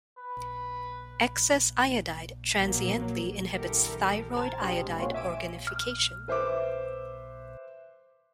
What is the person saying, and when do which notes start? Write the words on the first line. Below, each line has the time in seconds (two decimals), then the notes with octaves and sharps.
Excess iodide transiently inhibits thyroid iodide organification.
0.18 B4
2.60 A#1 F#3 A#3
3.50 D3 E3 G3 G4 A4 A#4
4.36 C5 A5 A#5 F6 G#6 A6
4.61 D4 G4 G#4 C5
4.82 C3 G#3
4.98 G#3 A#3 C4 C#4 F4 F#4
5.14 E5 G#5 D6 E6 D7 D#7
5.67 F6
6.28 B4 C5 E5 D6